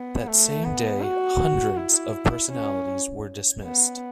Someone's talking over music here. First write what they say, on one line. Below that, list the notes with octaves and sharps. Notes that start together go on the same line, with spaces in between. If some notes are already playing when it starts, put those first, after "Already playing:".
That same day, hundreds of personalities were dismissed.
Already playing: B3
A3
B3
F#4
E4
C#4
B3